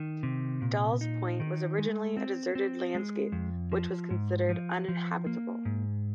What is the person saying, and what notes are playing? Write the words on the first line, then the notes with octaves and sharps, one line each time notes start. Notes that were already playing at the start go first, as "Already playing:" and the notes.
Dolls Point was originally a deserted landscape, which was considered uninhabitable.
Already playing: D#3
C3
A#2
D#4
D#3
G#3
C4
C4
G#3
F2
F3
G#2
F3
F3
A#3
G#2